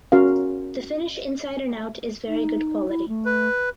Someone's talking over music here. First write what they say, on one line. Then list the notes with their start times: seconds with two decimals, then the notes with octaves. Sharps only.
The finish inside and out is very good quality.
0.12 C#4 F#4 A#4 F5
2.28 D#4
2.88 E4
3.08 A3
3.26 B4